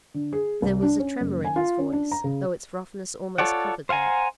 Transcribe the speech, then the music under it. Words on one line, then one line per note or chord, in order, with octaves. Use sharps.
There was a tremor in his voice, though its roughness almost covered that.
D3
G#4
C2
D4
C#4
F#1
G#5
F4
C#4
D4
A#5
C#3
F4 A4 C#5 D5 F#5
C5 F5 F#5 G#5 A#5